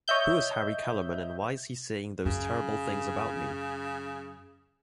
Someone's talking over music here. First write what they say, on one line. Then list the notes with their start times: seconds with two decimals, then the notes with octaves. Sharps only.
Who Is Harry Kellerman and Why Is He Saying Those Terrible Things About Me?
0.08 C#5 D#5 E5 G6
2.25 F#2 C#3